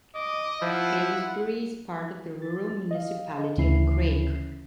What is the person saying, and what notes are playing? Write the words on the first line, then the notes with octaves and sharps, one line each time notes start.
Aylesbury is part of the Rural Municipality of Craik.
D#5 D6
F3 E4 F4 F#5
A6
D#5 F5
D2 C#3 E3 C#4 E4 C7